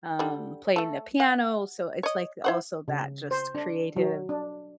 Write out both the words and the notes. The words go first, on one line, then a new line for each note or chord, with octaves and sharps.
um, playing the piano, so it's like also that just creative
D3 G3
A3 A4
F#5
C#5 D#5
E4 C5 F#5
C#3
C5
D4
F#3
D4